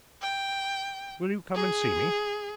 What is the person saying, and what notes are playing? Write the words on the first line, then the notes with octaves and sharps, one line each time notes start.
Will you come and see me?'
G5
G#4